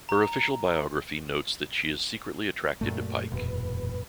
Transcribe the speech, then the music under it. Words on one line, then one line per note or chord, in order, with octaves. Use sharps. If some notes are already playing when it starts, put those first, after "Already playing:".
Her official biography notes that she is secretly attracted to Pike.
A#5
F#2 A#2 A3
E1 F#2 A#2 B4